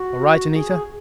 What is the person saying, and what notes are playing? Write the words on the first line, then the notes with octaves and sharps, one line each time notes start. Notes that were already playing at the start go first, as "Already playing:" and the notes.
"All right, Anita?"
Already playing: F#4
G#4